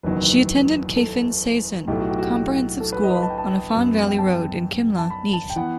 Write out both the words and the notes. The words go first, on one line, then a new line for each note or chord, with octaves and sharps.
She attended Cefn Saeson Comprehensive School on Afan Valley Road in Cimla, Neath.
F#1 E2 D#3 F#3 B4
A4
B1 A2 F#3 A3 G4
F#4
G4
F#4
G4
A4
B4
D#5
B5
A5
G5
A5
F#2 F#3 B3
G5
A5
A5
B5
A5
G5
E3 B3 F#5